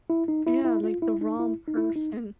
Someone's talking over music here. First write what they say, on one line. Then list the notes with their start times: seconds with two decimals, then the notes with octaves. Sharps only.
Yeah, like the wrong person.
0.10 E4
0.28 D#4
0.47 E4
0.65 E4
0.84 F4
1.02 E4
1.21 D#4
1.39 E4
1.68 D#4
1.77 E4
1.96 D#4